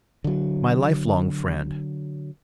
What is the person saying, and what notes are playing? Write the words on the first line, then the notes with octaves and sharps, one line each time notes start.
My life-long friend!
D3 F#3